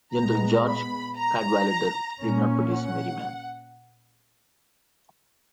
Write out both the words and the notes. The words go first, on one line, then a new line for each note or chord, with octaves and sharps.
General George Cadwalader did not produce Merryman.
A#2 G#3 B3 A#5
B5
A#5
A#2 A#3 C#4
F#5